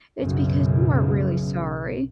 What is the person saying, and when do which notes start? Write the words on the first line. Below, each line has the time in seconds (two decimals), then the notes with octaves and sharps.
it's because you aren't really sorry
0.21 B1 F#2 C#3